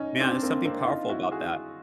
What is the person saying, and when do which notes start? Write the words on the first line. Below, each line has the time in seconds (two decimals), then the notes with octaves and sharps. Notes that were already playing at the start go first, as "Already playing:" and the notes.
man, there's something powerful about that.
Already playing: C#4 D#4
0.20 C4 D4
0.43 A#3 C4
0.65 A#3 C4
0.82 E4
0.87 D#4 F4
1.09 E4 F#4
1.31 F#4 G#4